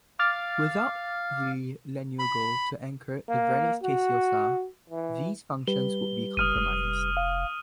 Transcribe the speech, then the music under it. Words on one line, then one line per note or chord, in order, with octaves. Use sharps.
Without the lanugo to anchor the vernix caseosa, these functions would be compromised.
F5 D6 F6 A6
B5
A#3
F#4
E3
G3 G4 B4 G7
F#1 D#6 F6 D#7
F1
F5